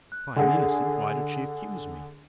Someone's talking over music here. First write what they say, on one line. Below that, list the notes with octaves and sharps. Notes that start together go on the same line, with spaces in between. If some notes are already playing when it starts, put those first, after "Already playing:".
"If I am innocent, why did she accuse me?"
F#6
D3 G#4 F#5 G#5